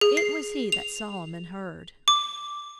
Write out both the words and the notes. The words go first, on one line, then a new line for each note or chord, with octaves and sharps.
It was he that Solomon heard.
G#4
C7
F7
D6